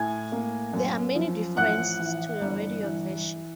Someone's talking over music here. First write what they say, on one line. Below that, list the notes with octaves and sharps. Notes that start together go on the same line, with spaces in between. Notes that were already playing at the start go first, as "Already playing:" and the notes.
There are many differences to the radio version.
Already playing: A2 G#5 G#6
A#3
F#2
F3
A1 F#5 F#6
E3
G1
E3